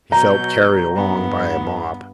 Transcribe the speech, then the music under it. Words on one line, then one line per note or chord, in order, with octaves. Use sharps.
He felt carried along by a mob.
B2 F#3 A#5 G6
G2 B3